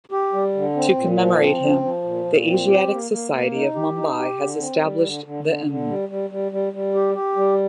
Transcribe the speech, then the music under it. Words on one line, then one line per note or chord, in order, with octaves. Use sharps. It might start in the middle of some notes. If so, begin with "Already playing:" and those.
To commemorate him, the Asiatic Society of Mumbai has established the Mm.
G4
G3
D3
C4
A#2
F3
C4
F3
F3
A#2
A#2
C4
G4
A#3
A#3
A#3
D#4
G4
D#4
G4
D3
C4
G3
D3
D3
D3
D3
G3
G3
G3
G3
G3
G4
G4
G3